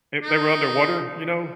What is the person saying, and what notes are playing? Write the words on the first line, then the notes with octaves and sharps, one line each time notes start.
they they were underwater, you know?
D#4